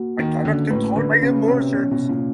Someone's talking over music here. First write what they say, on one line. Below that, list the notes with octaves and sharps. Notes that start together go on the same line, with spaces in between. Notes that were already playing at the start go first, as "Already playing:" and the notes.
I cannot control my emotions.
Already playing: A#3 F#4
D#3 A#3
D3 C#4
A2 B4
D3 B4
C#3 C#4
C3 C#4
B2 C#4
B2
C3
A#2